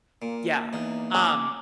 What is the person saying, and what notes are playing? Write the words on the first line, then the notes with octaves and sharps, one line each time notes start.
Yeah. Um,
A#2 A#3
E2 D#4
C#4 D6